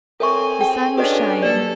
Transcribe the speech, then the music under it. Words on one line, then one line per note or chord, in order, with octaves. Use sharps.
The sun was shining.
C4 A4 A#4 C#5 E5 G#5 C#6
G#4 G5
C#4 D4 F#4 A4 B4 D#5
F#3 A#3 G4 A4 D5